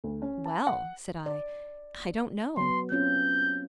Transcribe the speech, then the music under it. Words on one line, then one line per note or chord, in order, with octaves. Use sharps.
"Well," said I, "I don't know."
D2
C#4
A5
F#5
D5
F#3 B3 C6
C4 C#4 F4 G6